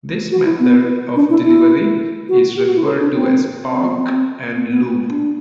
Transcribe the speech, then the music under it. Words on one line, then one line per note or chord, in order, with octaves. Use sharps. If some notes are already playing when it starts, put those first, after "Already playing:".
This method of delivery is referred to as "park and loop".
F#4
E4
B3
D4
E4
E4
F#4
G4
F#4
E4
A4
D4
C4
C4
B3
C4
B3
B3
D4